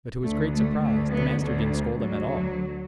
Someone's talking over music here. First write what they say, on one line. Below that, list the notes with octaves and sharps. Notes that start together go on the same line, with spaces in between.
But to his great surprise the master didn't scold at all.
D2 D3 A3
A3
D2 D3 A3
F#3 B3
D2 D3 A3
D2 D3 F#3